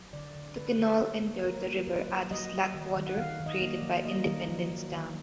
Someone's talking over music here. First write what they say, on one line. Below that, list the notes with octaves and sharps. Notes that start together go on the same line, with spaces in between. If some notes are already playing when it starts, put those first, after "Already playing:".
The canal entered the river at a "slackwater" created by Independence Dam.
Already playing: F#3
D3 D5
D3
D3 B4
D3
A#3
A#3
F#3 A#4
A#3
F#3 B4
F#3
F#3 D#5
F#3
D#3
D#3
F#5
D#3 F5
D#3
D#5
A#3
D5
F#3
A#3 D#5
D#3
F#3
F#3
D#3